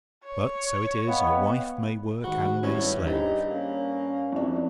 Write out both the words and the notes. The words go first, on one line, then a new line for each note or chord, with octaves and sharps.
But so it is: a wife may work and may slave!
C#5
B3 D#5 F5 G5
G#2 D#3 F#4 B5 G7
G2 C#4 E4
D4 D#4 G4 C5 D5
A#3 C#4
F2 F3 C4 D4 E4